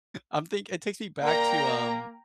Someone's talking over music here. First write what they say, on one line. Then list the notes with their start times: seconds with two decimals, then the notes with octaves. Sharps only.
I'm think it takes me back to, um
1.23 A#3 A#4 D5 G5 A#5